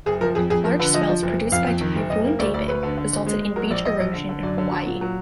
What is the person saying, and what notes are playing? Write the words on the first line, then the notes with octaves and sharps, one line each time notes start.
Large swells produced by Typhoon David resulted in beach erosion in Hawaii.
F#1 G#4
F3 A#4
F2 G#4
F2 G#4
F3 A#4
D3 B4
F3 D#5
F3
F#1
F#1
F2 F5
F2
D#3
F#1
F#1 D#5
A#3
D2 D5
D2 D5
D2 B4
D3
D3
G#1
G#3
G#3
F#3 A#4
A#1 D5
A#1 D#5
A#1
D3
D3
F#2 D5
D3
F#3
A#2
F#3